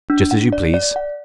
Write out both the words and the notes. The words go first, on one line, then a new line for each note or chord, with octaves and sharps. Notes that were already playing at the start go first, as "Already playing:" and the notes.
"Just as you please."
D4
F#5
D5
D5
F#5